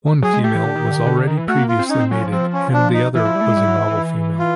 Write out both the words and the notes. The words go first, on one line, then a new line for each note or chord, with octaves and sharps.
One female was already previously mated and the other was a novel female.
F#3 G#4
G#3
A3 G4
E3
D3
D#3
E3
D3
D#3
D3
D3
D#3
E3
A3 F#4
A#3
F4
C4
C#4 D#4
C4
F#3 C#4
F3
F3 C4
C#4
D4
D#4
E3 E4
F3
G3
A3
G#3
G3
F#3
E3
E3
F4